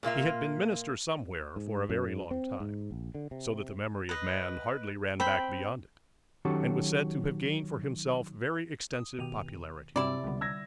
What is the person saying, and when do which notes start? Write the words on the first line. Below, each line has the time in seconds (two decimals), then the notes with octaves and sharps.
He had been minister somewhere for a very long time, so that the memory of man hardly ran back beyond it, and was said to have gained for himself very extensive popularity.
0.03 A#2 A#3 F4 E5
1.56 G#2
1.89 F#2
2.31 C4
2.60 G#2
2.91 A#1
3.15 D3
3.31 C3
4.09 B4 D#5
5.20 C4 G5 B5
6.45 D#3 F#3 C#4 F#4 G4 A4
8.93 D#6
9.19 B2 D#3 G4 D#7 F7
9.96 G2 C3 F#3 G3 C4 E4 D5
10.24 C#2 D3 G3 B3
10.41 E6 G#6 A#6